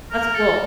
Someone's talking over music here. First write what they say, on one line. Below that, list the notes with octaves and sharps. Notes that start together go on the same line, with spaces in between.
That's cool.
A#4
A4